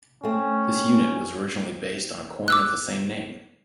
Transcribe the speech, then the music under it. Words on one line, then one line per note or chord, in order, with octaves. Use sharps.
This unit was originally based on a coin of the same name.
A3 C4 C#4
D6 E6 F#6